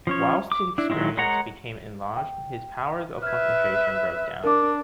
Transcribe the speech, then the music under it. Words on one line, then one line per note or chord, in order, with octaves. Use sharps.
Whilst his experience became enlarged his powers of concentration broke down.
F3 C#4 C#5
D6
D4 E4
D#3 F#3 G#3 C#4 E4
G#3 A#4 C#5 F#5 A#5
G5
B4 E5 F6 G#6
D4 A#4 D6